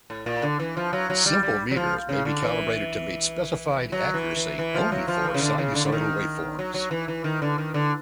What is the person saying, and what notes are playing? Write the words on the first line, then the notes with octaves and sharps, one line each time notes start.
Simple meters may be calibrated to meet specified accuracy only for sinusoidal waveforms.
A2
A#2
D3
E3
F3
F#3
F#3
G3
G3
F#3
F3
C#3
D3
E3
F#3
E3
E3
E3
F3
F#3
F3
E3
C#3
D3
C#3
D3
D3
D#3
F#3
F#3
E3
E3
D#3
D3
D#3
D3